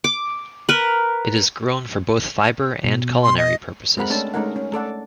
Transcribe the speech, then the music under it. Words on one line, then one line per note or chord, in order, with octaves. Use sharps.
It is grown for both fiber and culinary purposes.
D6
A#4 B4
B2
C6
D#5
G#3 C4 A#4 F#5 B5
A3 C#4 D4 A4 A5
G#3 A3 C#4 D#4 A#4 F#5
C#4
A3 A4 D5 F#5